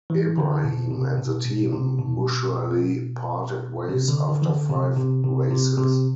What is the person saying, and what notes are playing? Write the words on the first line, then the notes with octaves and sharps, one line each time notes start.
Ebrahim and the team mutually parted ways after five races.
E3
D3
B2
C3
B2
B2
C3
B2
C3
D3
D3
E3
D3
C3
C3
C3
C3
C3